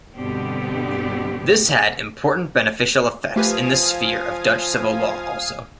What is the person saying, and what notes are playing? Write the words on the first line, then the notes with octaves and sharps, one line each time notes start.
This had important beneficial effects in the sphere of Dutch civil law, also.
G2 B2 D3 B3 C4 G4
F3 A3 G4 B4 F5 G#5 D#6